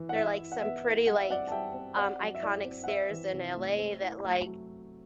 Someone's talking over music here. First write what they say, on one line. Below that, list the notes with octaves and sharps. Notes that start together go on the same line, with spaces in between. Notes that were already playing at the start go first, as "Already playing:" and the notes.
They're like some pretty, like, um, iconic stairs in LA that, like
Already playing: E3
F#5
E4 E5
E4
F#5
B3 E5
E4
G3 F#5
E5
C4 D5 F#5
A5
G3 E5 G5
C4
C4 D5 F#5
F#3
E5
E4 D5
C4
F#5
C4 E5
E3
C3
A3
C4
E4
A3
F#3